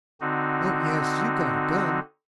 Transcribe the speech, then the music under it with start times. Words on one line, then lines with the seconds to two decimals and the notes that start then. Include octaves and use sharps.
Oh, yes, you got a gun.
0.21 D3 C4 D#4 F#4